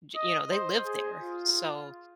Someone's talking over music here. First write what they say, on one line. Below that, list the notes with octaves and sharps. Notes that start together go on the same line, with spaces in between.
j you know, they live there, so
D#5
C5
G#4
F4